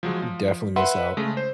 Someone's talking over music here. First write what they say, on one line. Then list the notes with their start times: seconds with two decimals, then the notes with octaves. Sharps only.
Y you definitely miss out.
0.03 F3 F#3 G#3
0.22 F3
0.76 B4 E5 F#5 B5 C6
1.17 C#3 G#3 A3
1.37 C5